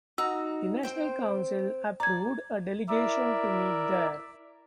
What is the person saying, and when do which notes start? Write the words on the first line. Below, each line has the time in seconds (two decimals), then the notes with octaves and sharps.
The National Council approved a delegation to meet there.
0.18 D#4 F#4 A#5 E6
0.83 C4 C5 G5
2.00 D5 A#5 G#6
2.89 E4 A#4 D5 E5